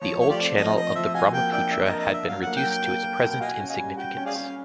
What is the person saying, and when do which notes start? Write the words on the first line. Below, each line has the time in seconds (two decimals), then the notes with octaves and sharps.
The old channel of the Brahmaputra had been reduced to its present insignificance.
0.01 F3 C#5
0.20 A3 C#5
0.30 F4 G4 D5
0.38 C4
0.57 F3 D#5
0.76 C4 D#5
0.95 F3 E5
1.14 F#4 D#5 F5 G#5
1.33 A#3 G5
1.52 D4 D5 E5 G5
1.71 D4 E5
1.85 A#4 D#5
1.99 D#5
2.09 D4 E5
2.28 F#3 F5
2.42 A#3 F#5
2.56 G5
2.65 F#3
2.70 G5
2.85 A#3
3.03 A#3
3.22 B2
3.31 G5
3.40 F#4 D#5 F5 G#5
3.60 C#4
3.69 D#5 F5 G#5
3.78 G3
3.97 F#4 G5
4.17 C#4
4.26 G#4 D5 F5
4.35 C#4